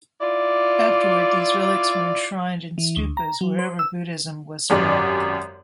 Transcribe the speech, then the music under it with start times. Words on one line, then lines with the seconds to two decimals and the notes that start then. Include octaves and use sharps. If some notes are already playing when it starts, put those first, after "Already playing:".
Afterward, these relics were enshrined in stupas wherever Buddhism was spread.
0.21 E4 F4 D5
2.78 E3
2.97 D2
3.17 A#5
3.41 F#3
3.59 C5
3.79 E6
4.70 G#1 F#2 G4 D5